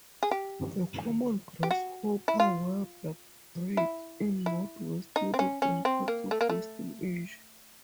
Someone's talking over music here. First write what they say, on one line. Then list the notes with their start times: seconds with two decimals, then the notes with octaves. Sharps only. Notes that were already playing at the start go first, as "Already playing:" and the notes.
The common grasshopper warbler breeds in north west Europe and parts of western Asia.
0.23 G#4
0.31 G4
1.63 G4
1.71 F#4
2.28 E4
2.40 F4
3.77 E4
4.46 E4
5.16 D#4
5.34 C4
5.39 C#4
5.62 C#4
5.85 C4
6.08 A#3
6.31 A3
6.41 A#3
6.50 A3